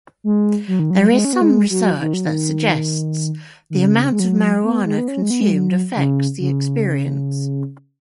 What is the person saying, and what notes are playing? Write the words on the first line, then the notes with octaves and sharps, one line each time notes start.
There is some research that suggests the amount of marijuana consumed affects the experience.
G#3
F#3
D#3
F#3
G#3
C#4
B3
G#3
F#3
D#3
F#3
D#3
D#3
C#3
G#3
F#3
B3
G#3
B3
C#4
G#3
B3
G#3
F#3
C#3
C#3